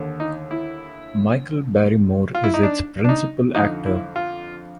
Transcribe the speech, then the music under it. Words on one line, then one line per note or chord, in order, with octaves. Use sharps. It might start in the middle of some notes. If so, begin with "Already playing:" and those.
Michael Barrymore is its principal actor.
Already playing: D#2 D3
D#4
E4
F4
E4
D#4
D4
D4
D#4
F2 D3 D#4
E4
F4